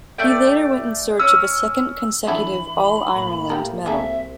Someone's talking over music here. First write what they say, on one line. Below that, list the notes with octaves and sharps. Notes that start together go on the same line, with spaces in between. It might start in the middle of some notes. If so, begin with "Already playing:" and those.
He later went in search of a second consecutive All-Ireland medal.
A3 D5 G5
C#4 E6
E3 D4 E4 A4 B5
A2 A#3
G4 A4 A#4
C2 A#3 G#4 A4 E5